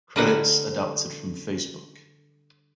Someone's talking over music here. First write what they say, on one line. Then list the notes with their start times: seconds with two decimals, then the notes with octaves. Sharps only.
Credits adapted from Facebook.
0.16 D3 G3 A#4 B4 D#5 F#5